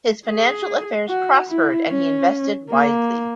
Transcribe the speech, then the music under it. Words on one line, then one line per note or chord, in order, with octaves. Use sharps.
His financial affairs prospered, and he invested widely.
G#4
F#4
E4
C#4
A#3